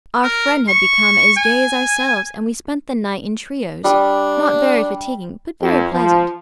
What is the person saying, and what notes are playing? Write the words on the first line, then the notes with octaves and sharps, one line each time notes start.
Our friend had become as gay as ourselves, and we spent the night in trios, not very fatiguing, but very pleasant.
A#4
C#6
G#5
G3 D4 D#6
F2
F3